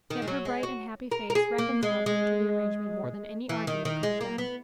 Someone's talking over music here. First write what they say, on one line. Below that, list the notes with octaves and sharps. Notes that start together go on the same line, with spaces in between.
Yet her bright and happy face reconciled him to the arrangement more than any argument could have done.
D#3
G#3
F#3
G#3
F#4
A#4
A#4
G#4
A#3
G#3
G#3
E3
D#3
D#3
G#3
A#3
B3